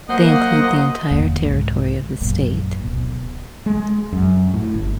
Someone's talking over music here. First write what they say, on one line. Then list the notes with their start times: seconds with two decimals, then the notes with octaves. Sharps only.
They include the entire territory of the state.
0.09 F#3 A#3 C5 D#5 F#5
1.11 D#1 E2 D3 A#3
1.43 C2 G#2
2.21 A1 F#2 A#2
2.83 D1 B2
3.66 G#3
4.13 F#2
4.54 A2
4.74 G1